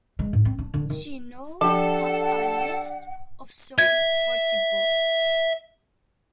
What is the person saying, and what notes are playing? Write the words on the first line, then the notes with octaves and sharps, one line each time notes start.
She now has a list of some forty books.
G#3
G#2
C4
D4
D3
D#3
F3 D4 G4 A4 F#5
E5 G#6